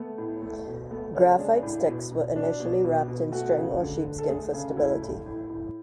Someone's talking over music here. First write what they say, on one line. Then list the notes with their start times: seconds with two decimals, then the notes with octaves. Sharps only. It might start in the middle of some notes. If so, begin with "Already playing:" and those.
Graphite sticks were initially wrapped in string or sheepskin for stability.
Already playing: A3 B3
0.18 A2
0.42 A3
0.66 B2
0.91 A3 B3
1.14 C#3 C#4
1.39 G#3 D4
1.63 A2
1.87 B2
2.12 B2
2.35 B2 D4
2.60 B2
2.84 B2
3.08 B2
3.32 A3 F#4
3.57 C#3
3.80 D3
4.05 D3
4.19 A4
4.29 A3 G#4
4.53 C#3
4.69 F#4
4.77 A3 E4
5.02 A2
5.26 A2
5.50 A2